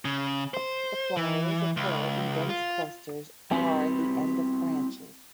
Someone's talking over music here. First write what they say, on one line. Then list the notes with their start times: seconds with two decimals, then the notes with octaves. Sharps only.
The flowers occur in dense clusters are the end of branches.
0.05 C#3
0.54 C5
1.17 E3
1.77 C#2
2.49 F4
3.51 G3 B3 C4 E4 F#4 G4